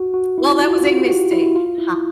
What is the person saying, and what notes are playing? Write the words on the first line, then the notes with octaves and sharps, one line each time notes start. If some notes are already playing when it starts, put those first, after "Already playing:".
well, that was a mistake, ha
Already playing: F#4
F#4
E4
F4
F#4
F4
F#4
G4
F#4
E4
F4
E4